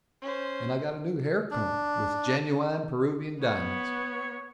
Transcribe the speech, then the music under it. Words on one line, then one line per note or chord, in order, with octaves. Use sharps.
And I got a new hair-comb, with genuine Peruvian diamonds.
C#4 C5
D4
B3 C#5